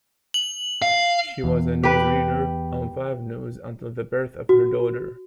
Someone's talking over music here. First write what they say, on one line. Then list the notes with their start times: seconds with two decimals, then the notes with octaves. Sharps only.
She was a newsreader on "Five News", until the birth of her daughter.
0.34 F#7
0.82 F5
1.44 E2
1.83 G4 B4
4.49 F#4